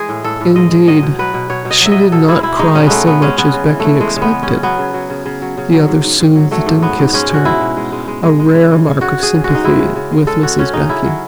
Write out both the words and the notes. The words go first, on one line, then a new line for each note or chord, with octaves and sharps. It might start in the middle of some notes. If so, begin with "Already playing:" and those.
Indeed, she did not cry so much as Becky expected--the other soothed and kissed her--a rare mark of sympathy with Mrs. Becky.
Already playing: E3 G#3 G#4
A2
A2 A4
A2
G#3 D#5
G#3
F#3 D#5
B2
F#3 B4
B2
B2 C#5
B2
D#5
F#3
E5
B2 D#5
B2 A4
G#3 E4
B2 E4
G#3 D#4
B2 C#4
G#3 A3 B3
G#3 B3
G#3 C#4
C#3 B3
C#3
E3
A3
E3
E3 G#3
C#3
B3
C#3
C#4
C#3
F#3 B3
C#3
F#3
C#3
C#3
F#3
C#3
F#3
G#2
G#2
G#2
F#3
F#3 A3
G#2
F#3 B3
G#2
G#3 C#4
B2 F#4
G#3 E4
B2
G#3
G#3
G#3
G#3
G#3
C#3
E3
C#3
C#3 F#4
C#3
G#4
C#3
G#3 F#4
D#4
G#3 E4
C#3
C#3
G#3
G#3 A4
C#3 F#4
C#3 C#4
C#3 D#4
C#3 E4
F#3